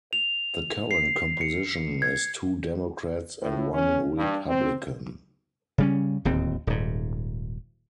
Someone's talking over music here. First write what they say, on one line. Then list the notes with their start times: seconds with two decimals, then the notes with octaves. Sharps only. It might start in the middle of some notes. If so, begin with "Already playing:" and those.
The current composition is two Democrats and one Republican.
0.13 F7
0.91 C7
1.41 C#7
2.02 G#6
3.42 A2
3.73 C#4
4.17 G2
4.49 C4
5.78 C#3 G3 C#4
6.25 D1 D#2 C4
6.67 D#1 G#2